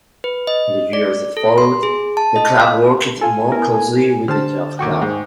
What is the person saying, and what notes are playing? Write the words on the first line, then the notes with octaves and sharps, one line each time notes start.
In the years that followed, the club worked more closely with the Youth club.
B4
D#5
D5
A4
C6
G#4
A5
D#5
F5
F4 A4 G#5
B3 E4 A#4
D3 G4 C5 A5 F6
D#2 F#4 G5 C#6 D6
G#2 G#4